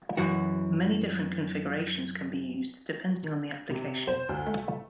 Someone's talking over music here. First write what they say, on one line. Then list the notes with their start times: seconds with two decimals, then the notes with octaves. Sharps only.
Many different configurations can be used depending on the application.
0.17 F#2 E3 F#4
3.70 C3
4.07 C5
4.29 D2
4.47 A3